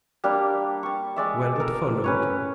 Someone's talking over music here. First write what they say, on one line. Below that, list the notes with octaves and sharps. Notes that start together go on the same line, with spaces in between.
"Well, what followed?"
G3 A#3 D4
A5 C#6
G#3 D5 E5
A4 A#4
C#4 B4 C#5